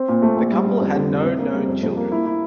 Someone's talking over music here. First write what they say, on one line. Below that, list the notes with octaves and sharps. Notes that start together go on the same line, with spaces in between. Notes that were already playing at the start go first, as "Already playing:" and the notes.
The couple had no known children.
Already playing: C4
A#2
A3
A#1
G3
G3
F2
D3
F1
C3
A#3
G3
F2
F2
A#3
E4
E4